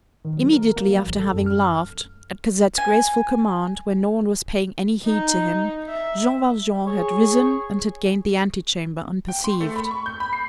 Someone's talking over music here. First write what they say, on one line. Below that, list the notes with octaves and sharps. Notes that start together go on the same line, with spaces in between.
Immediately after having laughed, at Cosette's graceful command, when no one was paying any heed to him, Jean Valjean had risen and had gained the antechamber unperceived.
D#3
F#3
A#4
A#3
F#3
A1
A4
F#2
F6
G#5
D#4
E5
G#4 C#5
G5
C6
A3
B5
C#6
G6
B5
C7